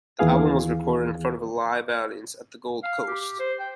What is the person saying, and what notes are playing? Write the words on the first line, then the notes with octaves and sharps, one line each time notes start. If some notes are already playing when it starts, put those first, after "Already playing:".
The album was recorded in front of a live audience at the Gold Coast.
D#2 E3 B3 G#4 F5
F5
G4
G4
C5
G5